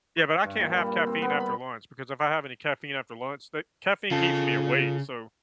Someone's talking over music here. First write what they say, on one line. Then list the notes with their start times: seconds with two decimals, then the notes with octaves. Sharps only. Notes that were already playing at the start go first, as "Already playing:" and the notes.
Yeah, but I can't have caffeine after lunch because if I have any caffeine after lunch, the caffeine keeps me awake. So,
0.17 C#5
0.45 G2
0.61 A#2
0.78 G3
1.07 C4
1.22 B3
1.40 B5
4.11 C#3 F4 A4